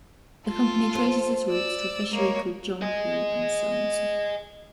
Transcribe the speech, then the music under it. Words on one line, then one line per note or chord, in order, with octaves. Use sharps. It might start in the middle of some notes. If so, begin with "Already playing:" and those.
The company traces its roots to a fishery called John Pew and Sons.
F4 A4
C5
D5 E6
G#3 A#3 C#5
D#5 G#5